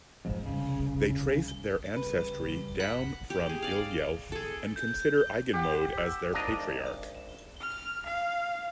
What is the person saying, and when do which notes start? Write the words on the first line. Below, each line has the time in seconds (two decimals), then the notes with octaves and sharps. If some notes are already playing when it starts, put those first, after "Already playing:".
They trace their ancestry down from Ile-Ife and consider Iganmode as their patriarch.
0.25 F2 G#2
0.46 C2 C#3 G3
1.96 C#3 G3 B4
2.80 F#5 B5
3.30 G4
3.49 G#4
3.63 D5 F5
4.32 G#4 A4
4.76 G6
5.53 G4 F#5
5.97 E6
6.34 G#1 D4 D#5 A#5
7.60 F6
8.06 F5